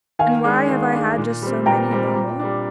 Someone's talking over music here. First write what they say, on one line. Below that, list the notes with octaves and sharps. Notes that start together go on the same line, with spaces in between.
And why have I had just so many and no more?
D#3 F5 G#5
G#3 D4
D#3
G#3 D4
A#2
G3 C4
A#2 G5 A#5
G3 C4
A#2
G3 D4